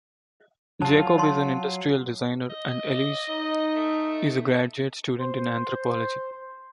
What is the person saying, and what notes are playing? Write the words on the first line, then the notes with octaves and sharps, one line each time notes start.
Jacob is an industrial designer and Elyse is a graduate student in anthropology.
F#3 F4 A5
C#5 A5 C6
D#5
D#4
A3
C5